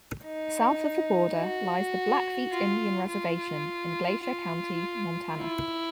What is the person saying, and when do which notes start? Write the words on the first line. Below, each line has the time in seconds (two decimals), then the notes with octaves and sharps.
South of the border lies the Blackfeet Indian Reservation in Glacier County, Montana.
0.24 D#4
1.39 F#4
2.52 F4
3.09 F4
4.24 F4
5.38 E4